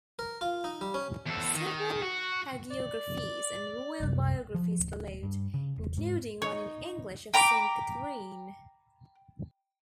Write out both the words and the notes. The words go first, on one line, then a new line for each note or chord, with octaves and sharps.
Several hagiographies and royal biographies followed, including one in English of Saint Katharine.
A#4
F4
D#4
G3
C#4
E2 A4
D#3
F#4
D5
C2 F#2
F3
D1
G2
C#3
E1
G#2
D#4 C#5
G5 A#5 B5 D6